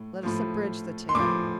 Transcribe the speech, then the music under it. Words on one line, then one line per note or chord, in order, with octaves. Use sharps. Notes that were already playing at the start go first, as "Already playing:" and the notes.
Let us abridge the tale.
Already playing: A2
A2 F3
C6
A2 F3 D6